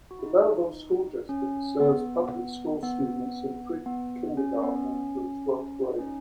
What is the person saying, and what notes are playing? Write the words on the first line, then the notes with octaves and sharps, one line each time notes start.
The Belleville School District serves public school students in pre-kindergarten through twelfth grade.
F#4
E4
D#4
C#4
B3
B3
B3
C#4
C#4
B3
C#4
D#4
C#4